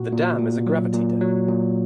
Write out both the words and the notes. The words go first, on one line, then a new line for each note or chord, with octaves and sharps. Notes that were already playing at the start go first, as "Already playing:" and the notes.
The dam is a gravity dam.
Already playing: A#2 F#4
A#2
A#2
F#3
A#2
F#3
A#2